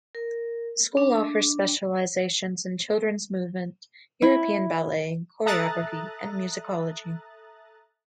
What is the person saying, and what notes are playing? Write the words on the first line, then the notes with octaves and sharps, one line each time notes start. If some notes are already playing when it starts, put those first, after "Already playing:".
The school offers specializations in children's movement, European ballet, choreography, and musicology.
A#4
D4
E4
A4 E5 A#5 D#6 F#6 A6